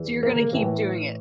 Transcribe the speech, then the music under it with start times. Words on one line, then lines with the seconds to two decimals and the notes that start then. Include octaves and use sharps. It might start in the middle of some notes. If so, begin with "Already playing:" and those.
So, you're gonna keep doing it.
Already playing: E2 E3
0.23 A#3
0.53 A2 E3